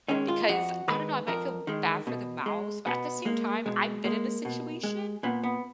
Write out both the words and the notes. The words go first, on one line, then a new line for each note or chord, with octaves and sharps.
Because I don't know, I might feel bad for the mouse, but at the same time, I've been in a situation
D#3 G#3 C#4
F4
F2 F#4
D#3 G#3 B4
F2 A#4
D#3 G#3
B2
G#3
B2 B3
G#3 A#3
B2 G#3
G#3 A#3
B2
G#3
A#2 B3
B3